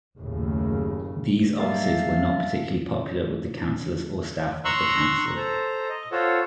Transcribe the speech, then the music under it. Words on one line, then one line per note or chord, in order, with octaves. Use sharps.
These offices were not particularly popular with the councillors or staff of the council.
F#1 D#2 A2 C#3
F#3 G3 A#3 E5 F5 A5
A#5 C6 C#6 E6 F#6
A4 C5 A#5
D#5
F4 A4 C5 C#5 F#5